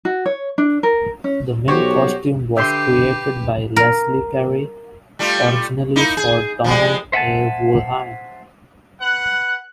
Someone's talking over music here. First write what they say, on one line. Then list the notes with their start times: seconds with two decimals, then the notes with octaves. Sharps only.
The Ming costume was created by Leslie Perri, originally for Donald A. Wollheim.
0.05 F#4
0.26 C#5
0.58 D4
0.83 A#4
1.24 C#4
1.68 B1 F#4 G4 C5 C#5
2.57 D3 G4 B4 E5 C6 D6 G6 C7
3.76 A#4
5.19 G3 A3 F4
5.96 A#3 D#4 E4
6.17 G#4
6.64 F3 G3 G#3
7.12 C5 E5 F#5 G#5 A5
9.01 B4 F#5 F#6